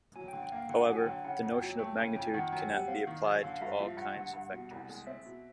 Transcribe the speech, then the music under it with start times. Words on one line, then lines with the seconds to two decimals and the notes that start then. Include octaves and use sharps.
However, the notion of magnitude cannot be applied to all kinds of vectors.
0.16 F#3 G#5
0.28 D3 G5
0.43 G5
0.52 A#3 F5
0.69 D3 F#5
0.88 F#3 G#5
0.97 G5
1.06 D3
1.24 C#3 F#5
1.43 F2
1.51 G5
1.60 F#3
1.79 A3 G5
1.97 C#3 G#5
2.15 F2 G5
2.34 D#3 F#5
2.52 F#2 G5
2.69 G3 F#5
2.88 C4 F5
3.07 D#3
3.24 F#2
3.43 D3 F5
3.54 F5
3.61 G2 E5
3.79 F3 E5
3.97 G2 F#5
4.15 D3
4.33 G2
4.52 B2
4.71 C2
4.89 G#3
5.07 C4 E5
5.25 B2